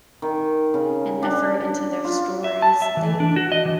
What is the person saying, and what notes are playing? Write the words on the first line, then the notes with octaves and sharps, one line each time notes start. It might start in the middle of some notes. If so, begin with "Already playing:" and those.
and effort into their stories, they
D#3
C#3
D4
F4
E5
A5
E5
E3
D4
F#4
D#5
E3